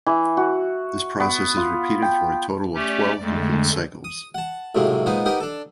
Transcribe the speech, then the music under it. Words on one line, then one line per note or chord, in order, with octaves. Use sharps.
This process is repeated for a total of twelve complete cycles.
E3
F#4
B3
F4
G5
A3 C#4 G4 D5
F2 D3 G#3 A3
D#6
F#5 A5
B1 A2 C3 F#3 G#3 A#3
A#2 G#3 B3 D#4 B4 C5
B3 D#4 G4 A#4 D#5
D4 A4